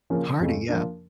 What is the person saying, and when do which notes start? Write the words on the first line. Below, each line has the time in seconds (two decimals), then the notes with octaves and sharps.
Hardy, yeah.
0.10 C#3 F3 A#3 C#4 F4
0.40 F2 C#3 F3 A3
0.69 F3 A#3 D4